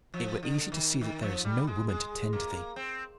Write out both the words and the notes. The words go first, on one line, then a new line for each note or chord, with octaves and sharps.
It were easy to see that there is no woman to tend to thee.
F3
D3
D#3
D#3
F3
G3
G#3
G#3
A#3
C4